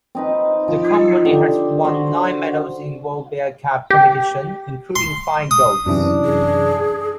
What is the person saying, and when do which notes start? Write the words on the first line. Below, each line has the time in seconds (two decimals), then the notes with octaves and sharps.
The company has won nine medals in World Beer Cup competition, including five golds.
0.15 C4 D#4 B4
0.68 F3 D#4
1.25 D3 G4
1.85 F#4 C5
3.90 G4
4.96 C6
5.51 D#6
5.86 F#2 C3 E3 D4
6.24 G#4